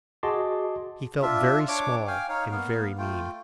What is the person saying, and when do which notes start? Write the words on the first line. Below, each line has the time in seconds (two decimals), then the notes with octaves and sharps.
He felt very small and very mean.
0.23 F#4 G#4 D#5 A5 C6 D6
1.22 D4 F4 E5
1.68 D4 C#5 D6
2.07 F5 G5 G#5
2.29 D#4 C#5 F5
2.51 A#3 B3 F5
2.98 A3 F4 G5